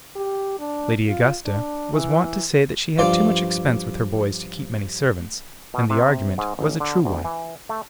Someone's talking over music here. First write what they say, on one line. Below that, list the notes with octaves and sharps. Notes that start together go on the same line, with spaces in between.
Lady Augusta was wont to say that she had too much expense with her boys to keep many servants; and the argument was a true one.
G4
D4
F4
D4
E3
G2 F3 F4 D5 C6
B2
C3
G#2
A1
D3
D2
E3
A3